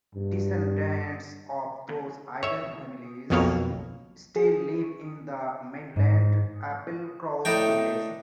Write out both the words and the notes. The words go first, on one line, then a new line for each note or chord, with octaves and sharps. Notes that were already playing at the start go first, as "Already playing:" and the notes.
Descendants of those island families still live in the mainland Applecross village.
G2
C#5 E5
B1 F2 B2 A#3 C#5 F5
G#4
G#2
A2 D4 D#4 G5